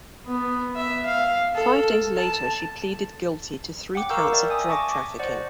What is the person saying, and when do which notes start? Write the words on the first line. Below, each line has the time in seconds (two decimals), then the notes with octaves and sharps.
Five days later she pleaded guilty to three counts of drug-trafficking.
0.26 B3
0.76 E5
1.06 F5
1.55 A4
2.17 A5
3.95 F#5 G5 D6
4.10 A#4 F5 A#5 C#6 E6 G6
4.33 D5 E5
4.50 G#5 D#6
4.69 A5 C#6 D6 A#6
5.19 C5 D5 F#5